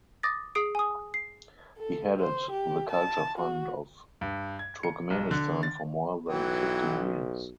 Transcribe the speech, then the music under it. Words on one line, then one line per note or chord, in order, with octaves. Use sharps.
He headed the Culture Fund of Turkmenistan for more than fifteen years.
D6 D#6 A6 A#6
G#4 D#6 C7 D7
G#5 D#6
C7
A4
C5
G4
A5
F#4
G2
G#6
C#7
B1
D3
A6
B1 E3 F#3 G5